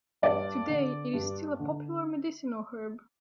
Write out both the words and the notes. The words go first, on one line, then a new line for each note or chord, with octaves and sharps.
Today it is still a popular medicinal herb.
G2 D5
D3
G2
D3